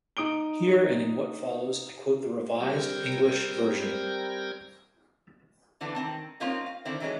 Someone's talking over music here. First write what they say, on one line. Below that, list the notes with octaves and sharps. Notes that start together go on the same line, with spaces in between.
Here and in what follows I quote the Revised English Version.
D#4 D#6 D7 G7
G3 C4 A#4 G5 G#6 A#6
D3 E3 B3 D4
D#3 C4 A5
F3 A#3 C4 C#4 D#4 F4
F5
D3 D#3 C4 E4
D#3 E3 F#3 G#3 C#4